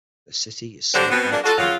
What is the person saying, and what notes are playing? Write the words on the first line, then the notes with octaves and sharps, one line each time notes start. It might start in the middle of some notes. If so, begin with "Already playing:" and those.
The city is served by Ten.
D3 F#3 C4 D4 G4 C5
B2 B3 C4
F#3 G#3 A#3 D4
F4 F#4 A4
F#2 C#3 F#3 F4